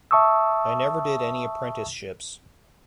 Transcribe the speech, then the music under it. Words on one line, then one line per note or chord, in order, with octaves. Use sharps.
I never did any apprenticeships.
E5 A5 C#6 D#6 E6